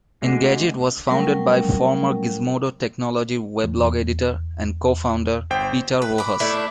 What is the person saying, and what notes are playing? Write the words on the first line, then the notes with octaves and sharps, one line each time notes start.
Engadget was founded by former Gizmodo technology weblog editor and co-founder, Peter Rojas.
D3 G#3 A3 F#4
F#3 G3 A3 C#4 A#4 G5
E2
G1 C5 G5
B4
B5 D6
A3 D4 E4